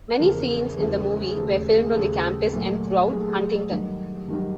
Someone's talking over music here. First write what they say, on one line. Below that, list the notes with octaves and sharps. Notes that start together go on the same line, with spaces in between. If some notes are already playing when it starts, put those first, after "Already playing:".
Many scenes in the movie were filmed on the campus and throughout Huntington.
E2 C#3 F3 A#3 A#4
E2 C#3 F3 A#3
G#4
D#2 C#3 F3 A3 A4
G#4
D#2 C#3 F3 A3 A4
A#2 F#3 A3
A#2 F#3 A3 G#4
A4
G#4
G2 D#3 F#3
G2 D#3 F#3 G4